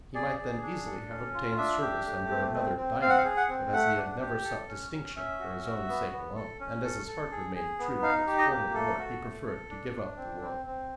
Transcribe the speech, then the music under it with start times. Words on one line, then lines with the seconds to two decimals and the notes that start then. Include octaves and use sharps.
He might then easily have obtained service under another daimyo; but as he had never sought distinction for his own sake alone, and as his heart remained true to his former lord, he preferred to give up the world.
0.15 G#4 D5
0.39 G#4
0.63 D4
0.86 A4
1.11 C#4
1.34 F4
1.57 D4 E5
1.81 G4
2.06 A3
2.29 C4
2.54 C4
2.77 C4
3.01 C4 F5
3.09 F#5
3.17 F5
3.24 G#4
3.37 F#5
3.49 C4
3.73 A3 F#5
3.97 D4
4.21 G4
4.44 A4
4.68 C#4
4.92 C#4
5.16 C#4 E5
5.40 F#4
5.64 F#4
5.88 B3
6.12 B3
6.36 A4
6.60 C#4
6.84 A4
7.07 A4
7.31 G#4
7.55 G#4
7.79 B3
8.02 D#4 F5
8.27 G4
8.38 D#5
8.50 A#3
8.74 A3 A4
8.98 F#4
9.22 A3
9.46 A4
9.70 D4
9.93 D4
10.17 C4
10.41 C4
10.66 C4